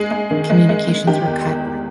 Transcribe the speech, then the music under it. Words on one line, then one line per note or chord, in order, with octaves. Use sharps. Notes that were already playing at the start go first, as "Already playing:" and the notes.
Communications were cut.
Already playing: G#3 G#4
G#3
D#3
G#3
G#3
G#3
D#3 G4
E2
E2
E2